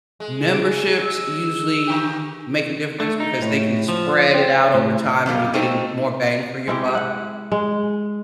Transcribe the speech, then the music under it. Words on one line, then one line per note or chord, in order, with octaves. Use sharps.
memberships usually make a difference because they can spread it out over time and you're getting more bang for your buck,
G#3
E6
D3 G4
A3
D#4
A2
F3
C4
A2
F#2 C#3 G3 A#3
A3 C4 D#4
G#3 E4 G4
F#5
G#3